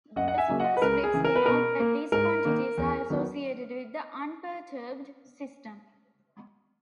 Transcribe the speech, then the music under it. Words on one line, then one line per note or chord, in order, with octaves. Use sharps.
The superscripts denote that these quantities are associated with the unperturbed system.
F#2 D#5 F#5
F#5
E5 G#5
C#3 F#3 A#3
D#5 F#5
B4
C#2 A#4
G#4
C#3 E3
A#4
B4
B2 A#4
A#3
G#2 A#4
D#3 A#3
E2
D#3 F#3 B3